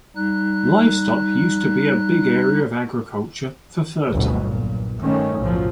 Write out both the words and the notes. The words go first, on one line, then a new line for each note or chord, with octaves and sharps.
Livestock used to be a big area of agriculture for Fertile.
G3 D#4 F#6
G1 D2 G2 B2 F#3
B1 A#2
G2 A#2 D#3 G3 A3 C#4
B1 F#2 A2 C#3 F3 F#3